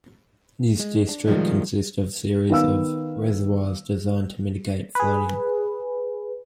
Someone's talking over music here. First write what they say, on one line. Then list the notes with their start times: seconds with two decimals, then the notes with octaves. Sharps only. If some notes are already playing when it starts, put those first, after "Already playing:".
This district consists of a series of reservoirs designed to mitigate flooding.
0.80 G#3
1.09 D4
1.27 A2 C3 D#3 F3 G3 G#3
2.50 D#3 B3 F5 E6
4.95 G#4 B4